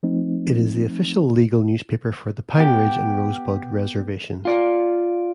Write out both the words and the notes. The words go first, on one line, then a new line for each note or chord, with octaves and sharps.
It is the official legal newspaper for the Pine Ridge and Rosebud reservations.
F3 A3 C4 D#4
B3 G4
F4 D5